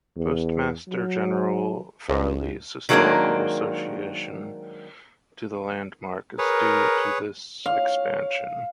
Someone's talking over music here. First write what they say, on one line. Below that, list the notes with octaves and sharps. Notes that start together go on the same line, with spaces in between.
Postmaster General Farley's historical association to the landmark is due to this expansion.
E2
F#3
C#2
D#3 F#3 G#3 A#3 C4 D4
G#4 A#4 B4 C#5
C#5 F5